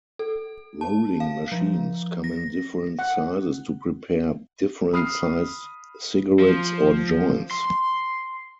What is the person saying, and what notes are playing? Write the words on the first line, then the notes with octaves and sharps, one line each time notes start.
Rolling machines come in different sizes to prepare different sized cigarettes or joints.
A4
A5
F5
F3
A#6
F#5
B5 D#6 F6 C7
F3
C6